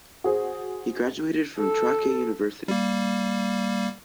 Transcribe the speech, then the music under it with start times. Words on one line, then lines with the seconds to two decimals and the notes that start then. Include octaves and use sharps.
He graduated from Trakya University.
0.24 F#4 G#4 C5
1.59 A4
2.68 G3 A#3